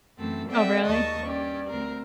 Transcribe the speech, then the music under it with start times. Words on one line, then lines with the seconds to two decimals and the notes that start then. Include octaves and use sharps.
Oh, really?
0.18 F#2 E3 A3 C4 A4
0.48 C4 A4 D5 E5 F#5 G5
0.85 D#2 G#2 D#5 A5 C#6
1.23 G2 C#4 G4 D5
1.69 D2 C4 A#4